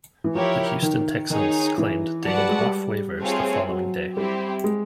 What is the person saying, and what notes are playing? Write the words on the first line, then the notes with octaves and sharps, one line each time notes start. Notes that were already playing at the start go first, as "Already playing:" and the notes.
The Houston Texans claimed Dayne off waivers the following day.
E3
F3 E4 G4 A#4 C#5
D#3
D#3 D#4 G#4 C#5
E3
F#3 F#4 B4 D5 F#5 A5
G3
G#3
G3
A3 C4 F4 G#4 C#5
F#3
G3 C4 E4 G4
G#3